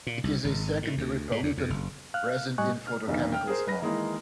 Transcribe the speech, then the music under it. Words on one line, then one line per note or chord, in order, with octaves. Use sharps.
It is a secondary pollutant present in photochemical smog.
A#2
C2
G#1
A2
D2
G#2
E2
F2
F#1
F5 F6 F#6
A2 G3 D#5 G#5 C#6 F#6
F6
E1 B1 D#3
G5 F6
G#4 A#4 C5
B4 A#6
D#3 E3 G#3 A#3 D#4 E4